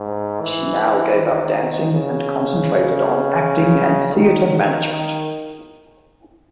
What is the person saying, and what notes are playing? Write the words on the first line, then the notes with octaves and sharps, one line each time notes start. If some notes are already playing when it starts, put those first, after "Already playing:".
She now gave up dancing, and concentrated on acting and theater management.
Already playing: G#2
E3
D#3
C#3
D#3
D#3